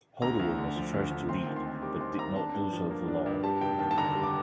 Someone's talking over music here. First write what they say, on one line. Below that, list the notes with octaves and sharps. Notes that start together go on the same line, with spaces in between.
Holdaway was the first to lead, but did not do so for long.
D2 A#5
D2
D3
F3
D2
D2
C4 C6
D#2
C6
D#3
G3 D6
C4 C6
D#2 A#5
D4 A5
G2
F3
A#3
D4
G2
G3 A5
F1 G5
D#2 A5
A5
D3 A#5
G3
D6